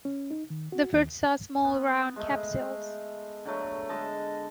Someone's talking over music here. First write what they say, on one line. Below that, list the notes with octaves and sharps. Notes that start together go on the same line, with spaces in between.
The fruits are small round capsules.
C#4
D#4
D#3
F#4
D#2
B3
G#3 A3
D3 F#3 A3
D3 G#3 D#5 A5